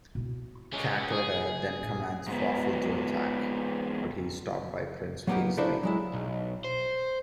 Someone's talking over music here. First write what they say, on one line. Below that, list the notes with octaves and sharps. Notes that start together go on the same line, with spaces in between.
Cackletta then commands Fawful to attack, but he is stopped by Prince Peasley.
B2 E4
G#3 C#4
G#4
A#2
G#2 B3
F#3 G3 A#3 B3 D#4 G4
C#3 D4 E4 A4 A#4 C5
F#3 G#3 E4
B1
C5